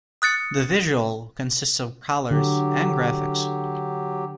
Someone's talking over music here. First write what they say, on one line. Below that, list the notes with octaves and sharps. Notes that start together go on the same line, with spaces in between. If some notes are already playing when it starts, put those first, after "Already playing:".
The visual consists of colors and graphics.
D#6 F#6 A6 C#7
D3 F#3 G4